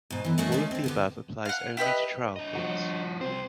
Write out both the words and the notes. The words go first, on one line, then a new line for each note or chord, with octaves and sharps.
All of the above applies only to trial courts.
G#2 B2
F#2 E3
G#3 A3 C#4 D4 F#4 A#4
G#3 A3 C#4 D4
D3 C4
D3 B3 G4
F5 F#5
E4 G4 B4 D#5
D4 D#5
F3 F#4
C2 C4 C5